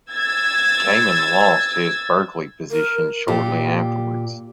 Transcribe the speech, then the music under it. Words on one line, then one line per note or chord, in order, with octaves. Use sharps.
Kamen lost his Berkeley position shortly afterwards.
E6 G#6 A6
A#4
A#2 G4